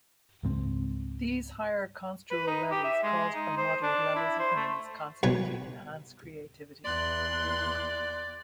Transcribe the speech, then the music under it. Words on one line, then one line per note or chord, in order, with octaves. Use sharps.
These higher construal levels caused by moderate levels of noise consequently enhance creativity.
C#2 G#2 C4
B4
D#4
G4
E5
G#3
D#4
C5
D4
E4
C5
A3
B1 B4 G#5
E2 D5 C6 F#6